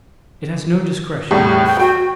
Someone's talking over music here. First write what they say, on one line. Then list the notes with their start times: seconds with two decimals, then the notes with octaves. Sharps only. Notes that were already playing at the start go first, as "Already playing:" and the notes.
It has no discretion.
1.31 E2 A2 G3
1.66 G5
1.80 F#4 G5